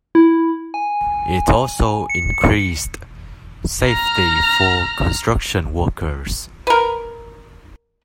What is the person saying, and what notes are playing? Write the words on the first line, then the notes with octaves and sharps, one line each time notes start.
It also increased safety for construction workers.
E4
G#5
C#7
A#5 F6
A#4 B4